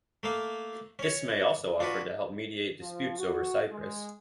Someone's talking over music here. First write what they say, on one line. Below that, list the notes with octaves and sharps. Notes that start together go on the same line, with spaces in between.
Ismay also offered to help mediate disputes over Cyprus.
A3 A#3 F5
C#4 C#5
D4 F4 F#4 B4
F3
F#4
G#3